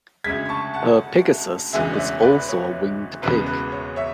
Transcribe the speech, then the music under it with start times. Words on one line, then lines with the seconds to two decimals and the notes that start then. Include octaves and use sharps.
Her Pigasus was also a winged pig.
0.24 D2 C#3 G#3 G#6 B6
0.45 B5
0.49 A5 C#6
0.74 F#5 A5
1.73 E1 D2 C#3 E3 G#3 E5 G#5
1.94 D5
1.98 C#5 E5
2.22 B4 D5
2.48 C#5
3.22 E1 E2 C#3 E3 G#3 B4
3.46 B4
3.72 C#5
3.96 C#5 E5